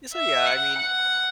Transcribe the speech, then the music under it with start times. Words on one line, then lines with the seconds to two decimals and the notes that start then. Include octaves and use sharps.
ye so, yeah, I mean,
0.13 E5
0.46 F#5
0.79 F#5